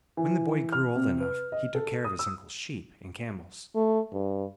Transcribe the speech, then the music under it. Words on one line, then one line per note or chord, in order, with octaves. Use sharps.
When the boy grew old enough he took care of his uncle's sheep and camels.
E3
F6
C3
B4
D#5
A4
D#6
E6
A3
G2